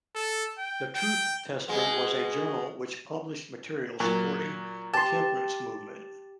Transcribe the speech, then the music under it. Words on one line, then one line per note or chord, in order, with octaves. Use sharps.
The Truth-Tester was a journal which published material supporting the temperance movement.
A4
G5
G5
B2 G#3 B3
A#2 F#3
G4 A5 C6